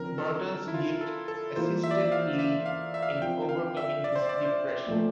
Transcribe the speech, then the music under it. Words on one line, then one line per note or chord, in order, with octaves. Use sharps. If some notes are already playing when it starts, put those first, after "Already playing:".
Burton's gift assisted Lee in overcoming his depression.
Already playing: D3 F3 C4 A#4
A4
E4
F4
A4
A4
E3 A#3 F4 C5
E5
D5
E5
F5
E5
F5
E5
F5
E5
F3 C4 F4 G5
F5
E5
D5
C5
D5
C5
A#2 F3 A3